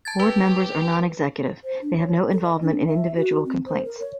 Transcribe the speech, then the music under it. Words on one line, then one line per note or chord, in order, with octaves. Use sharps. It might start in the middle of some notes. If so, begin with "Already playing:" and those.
Board members are non-executive - they have no involvement in individual complaints.
A5 G#6 A6
G4 B4
C5
D4
C#5
A4
D#5
D4
E5
F#4
C4
C5
A#4
C#5